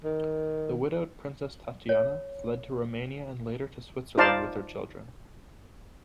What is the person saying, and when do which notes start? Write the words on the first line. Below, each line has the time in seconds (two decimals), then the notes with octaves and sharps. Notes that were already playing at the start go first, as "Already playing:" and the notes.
The widowed Princess Tatiana fled to Romania and later to Switzerland with her children.
0.04 D#3
1.89 C#5
4.18 D#4 F4 C5 D5 F5 A5